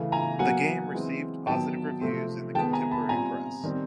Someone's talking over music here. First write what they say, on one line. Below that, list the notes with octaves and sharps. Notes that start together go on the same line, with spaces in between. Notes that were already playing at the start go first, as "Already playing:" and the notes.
The game received positive reviews in the contemporary press.
Already playing: C#3 E3 A3
G#5 A#5
B2 F#3 A#3 F#5 G#5
E3 G#3 C4
D#3 F#3 B3 G5 A5
C3 F3 A3 C4
D#3 G#3 B3 G5 A5
G#5 A#5
A5 B5
A#2 G3 C4 G#5 A#5
D#3 G3 C4